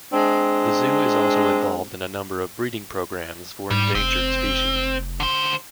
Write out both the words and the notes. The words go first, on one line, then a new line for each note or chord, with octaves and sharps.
The zoo is also involved in a number of breeding programs for endangered species.
G#3 C4 D4
G#2 G3
F1 C4
D3 C5